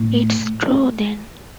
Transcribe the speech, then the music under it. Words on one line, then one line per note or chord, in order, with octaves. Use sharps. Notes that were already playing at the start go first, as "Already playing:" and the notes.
It’s true, then!
Already playing: A2